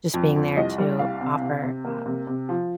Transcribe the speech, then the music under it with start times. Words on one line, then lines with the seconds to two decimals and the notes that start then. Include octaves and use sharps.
just being there to offer, um,
0.14 F2
0.36 F2
0.57 C2 D#5
0.78 G3
0.99 C2 F5
1.21 C3
1.42 C3
1.63 C3
1.85 A#3
2.06 C3
2.27 C3
2.49 F3